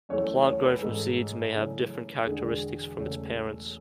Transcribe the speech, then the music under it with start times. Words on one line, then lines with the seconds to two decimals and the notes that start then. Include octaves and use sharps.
A plant grown from seeds may have different characteristics from its parents.
0.09 F#2 E3 A3 C#5
0.45 C#5
0.64 B4
0.81 A1 G#2 G#3 A4
1.53 F#2 C#3 E3 A3
2.25 E1 E2 D3 G#3 G#4
2.97 E1 E2 C#3 F#3 A3